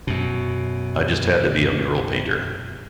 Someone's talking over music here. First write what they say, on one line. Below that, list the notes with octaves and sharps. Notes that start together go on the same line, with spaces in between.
I just had to be a mural painter.
F#2 B2